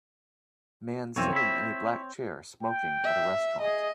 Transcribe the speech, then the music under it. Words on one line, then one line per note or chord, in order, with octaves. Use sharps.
Man sitting in a black chair smoking at a restaurant.
B1 F2 E3 C4 C#5
E4 E5
G5
E5
G#4 D#5